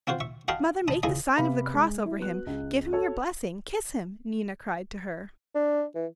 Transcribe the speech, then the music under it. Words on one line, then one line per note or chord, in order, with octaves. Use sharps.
"Mother, make the sign of the cross over him, give him your blessing, kiss him," Nina cried to her.
C4 F4 F#4 C5
E5 C#6
F#4 D#5 F5 G5 A5 B5
D#5 A5 B5 D#6
C#2 F3 E4 G#4 D#5 D#6
C3 B3 F5 B5
G#3
E4
B3 F#4 F#6
C#2
F#4 A4 C#5
D4
E3